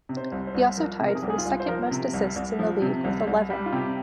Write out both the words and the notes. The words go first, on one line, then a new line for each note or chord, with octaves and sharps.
He also tied for the second-most assists in the league with eleven.
C3
C5
C2
C5
C2
F3 A#4
C3
A#4
G#4
C2 G4
G#4
F4
C2
C5
F3 A#4
C3
C2
C2
F3
C3
C2
C2
G3
F4
C3 G4